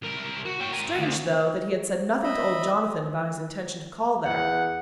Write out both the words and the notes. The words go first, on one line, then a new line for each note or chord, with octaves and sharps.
Strange, though, that he had said nothing to old Jonathan about his intention to call there.
C2 A#4
F#4
C#5 G5
A#4 G#5
D2
D#5 E5 B5
E2 F#5